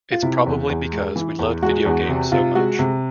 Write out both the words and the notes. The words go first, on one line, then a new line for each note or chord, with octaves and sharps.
It's probably because we loved video games so much.
F4
C3 E4
E2
E2
G#3
E3
E2
G#3 F#4
E2
C3
C3 F4
G#3 F#4
C3